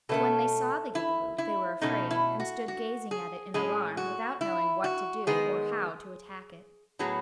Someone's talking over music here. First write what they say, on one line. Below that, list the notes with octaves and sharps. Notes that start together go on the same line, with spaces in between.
But when they saw the Gigaboo they were afraid, and stood gazing at it in alarm, without knowing what to do or how to attack it.
B2 A3 C#4 A4
E4
E4
B2 A3 C#4 D#4
E4
F#4
F#4
G#4
A2 G#3 C#4 G#4
F#4
E4
F#4
D#3 G#3 B3 G#4
A2 F#3 B3 G#4